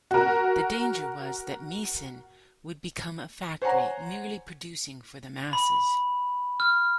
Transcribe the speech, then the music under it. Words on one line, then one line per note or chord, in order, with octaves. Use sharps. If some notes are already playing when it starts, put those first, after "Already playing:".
The danger was that Meissen would become a factory merely producing for the masses.
F#4 A#4
C5 C#5 F#5 G#5 A#5
B5
F6